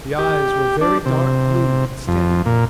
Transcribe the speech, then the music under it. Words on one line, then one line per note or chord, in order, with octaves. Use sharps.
The eyes were very dark blue and steady.
G4
D4
C3
F2
A#2